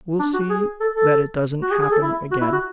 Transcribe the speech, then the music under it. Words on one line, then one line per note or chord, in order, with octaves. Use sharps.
"We'll see that it doesn't happen again."
D4
F#4
G#4
A4
A4
F#4
G#4
G#4
A4
E4
F#4
E4
F#4